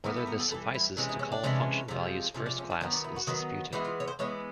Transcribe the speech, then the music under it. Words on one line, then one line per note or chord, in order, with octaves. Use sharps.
Whether this suffices to call function values first-class is disputed.
E3 G3 B3 A#4
A4
A#4
A4
E3 G3 B3 A4
E4
C3 E3 G#3 C#4
D#4
C#4
D4
C3 E3 G#3 C#4
C3 F3 G#3
C3 F3 G#3 C#4
D4
C#4
D4
D#3 F#3 B3 C#4
D4
E4
F#4
D#3 F#3 B3
E3 G#3 B3 F#4
F4
C#5
C5
E3 G#3 B3 C#5